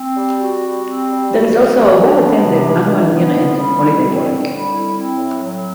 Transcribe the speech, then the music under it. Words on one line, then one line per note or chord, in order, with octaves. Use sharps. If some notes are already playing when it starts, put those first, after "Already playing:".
There is also a well attended annual year end holiday ball.
Already playing: C4
G3
F#4
G3
C4
G3
F#4
C3
E3
D4
B3
C3
E3
D4
B3
D3
G3
E4
C4
D3
G3
E4
C4
A2
F#3